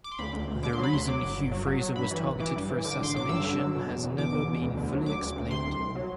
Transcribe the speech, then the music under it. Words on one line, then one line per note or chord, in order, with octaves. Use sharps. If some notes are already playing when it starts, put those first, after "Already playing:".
The reason Hugh Fraser was targeted for assassination has never been fully explained.
D6
C6
D2 B5
D2
D2
D3 D6
F#3 C6
B5
D2 C6
F#3 D6
G1
G1
F#3
F#3
F#3
G2 B5
E3
A1
E3 D6
G2
E3
D3 D6
A1 C6
F#3 D6
G2 E6
D3
F#3
B2
E2
E2
B2 D6
E2
B2
D2
D3
F#3
D2 D6
D2
D2
C3 C6
C2
C2
F#3